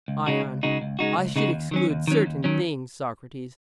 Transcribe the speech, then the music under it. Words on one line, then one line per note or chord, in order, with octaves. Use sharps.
ION: I should exclude certain things, Socrates.
C#2
C#3 G#3 D#4 F#4
C#2
C#3 G#3 D#4 F#4
C#2
C#3 G#3 D#4 F#4
C#2
C#3 G#3 D#4 F#4
D#2
D#3 F#3 C#4
D#2
D#3 F#3 C#4
D#2
D#3 F#3 C#4